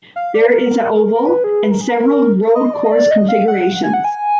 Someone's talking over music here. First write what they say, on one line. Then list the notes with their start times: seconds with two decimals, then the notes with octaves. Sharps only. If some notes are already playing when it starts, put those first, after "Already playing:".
There is a oval, and several road course configurations.
0.16 F5
0.34 D5
0.46 B4
0.53 A#4
1.15 A#4
1.26 B4
1.44 G#4
1.63 B4
1.71 A#4
1.81 G#4
1.89 A#4
2.55 D#5
2.74 D5
2.84 D#5
2.92 D5
3.11 D#5
3.29 F5
3.48 F#5
3.84 G#5
3.94 F#5
4.04 G#5